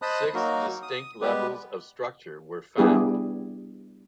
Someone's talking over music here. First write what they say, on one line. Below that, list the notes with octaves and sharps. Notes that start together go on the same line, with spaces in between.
Six distinct levels of structure were found.
C5 D#5 A5 B5 D#6 F#6
F#3 A#3 D#4 F#4 A#4
D#6
G3 G#3 B3 G4 B4
G3 B3 D4 E4 G4 G#4